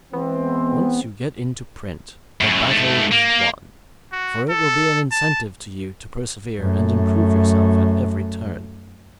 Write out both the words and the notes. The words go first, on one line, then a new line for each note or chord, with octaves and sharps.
Once you get into print the battle is won, for it will be an incentive to you to persevere and improve yourself at every turn.
E3 G#3 B3 C4
F#2 A2
G#2 A3
A#3
F#4
A4
A5
F#2 A3